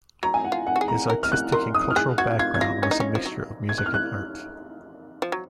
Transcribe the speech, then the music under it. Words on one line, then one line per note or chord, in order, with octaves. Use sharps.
His artistic and cultural background was a mixture of music and art.
F#3 A#5
G#5
F#5
F4
F#5
F#4
G#4
A#5
A#4
F6
F#6
A#4 C6
D#6
F6
G#4 F#6
F#4 G#6
F4 G#6
G#6
F4 A#6
C#4 G#6
D#4
C#4
F3
F#3
G#6
F#6
F6
F#6
F3
F#3